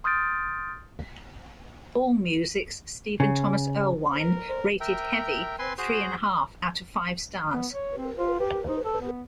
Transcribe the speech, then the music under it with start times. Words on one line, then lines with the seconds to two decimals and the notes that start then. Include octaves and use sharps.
Allmusic's Stephen Thomas Erlewine rated "Heavy" three-and-a-half out of five stars.
0.04 C6 D#6 F6 G6 A6 D7
3.20 C#3
4.20 A#4
4.80 A#4 E5 G5
5.59 C4 B4 G#5 C6
5.78 F#4 G#4 C5
7.52 B3
7.72 C#5
7.97 C4
8.18 F4
8.40 G4
8.68 D#4
8.84 A4
9.01 B3